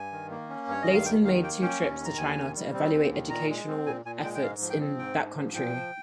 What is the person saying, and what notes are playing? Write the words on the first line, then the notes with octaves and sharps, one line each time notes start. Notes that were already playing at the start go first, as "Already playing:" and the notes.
Layton made two trips to China to evaluate educational efforts in that country.
Already playing: G2 G#5
D#3
A#3
C#4
G2 C#5
D#3 D#5
F5
D#2 G5
D#3 F5
A#3 G5
C#4 G5
D#2
D#3 A#5
D#2 G#5
D#3
G3
C4
D#2
D#3
A#2 A#5
G#3
C4
A#2 G#5
A#2 G#5
G#3 G5
G5
G#2 F5
F3
G5
C4
G#2 G5
G#2
F3
A#2 G5
F3